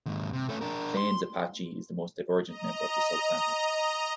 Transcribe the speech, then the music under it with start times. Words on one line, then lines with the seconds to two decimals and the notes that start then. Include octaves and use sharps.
Plains Apache is the most divergent member of the subfamily.
0.06 D#2 G#2
0.33 C3
0.49 A3 C#4
0.61 D4 A#4
0.97 C6
2.45 D#5 A#5